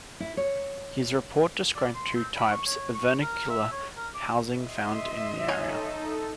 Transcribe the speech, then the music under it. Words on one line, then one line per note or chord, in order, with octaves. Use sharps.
His report described two types of vernacular housing found in the area.
E4
C#5
D5
C6
C4
B5
C#6
C#5
C#6
A#4
E5
C#5
A#4
D6
D#5 E5 C6
D#4 A4 C#5 G#5